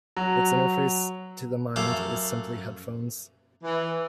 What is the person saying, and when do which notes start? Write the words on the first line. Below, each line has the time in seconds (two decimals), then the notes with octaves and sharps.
Its interface to the mind is simply headphones.
0.17 F#3
1.76 F#2 A3 F5 D6
3.63 E3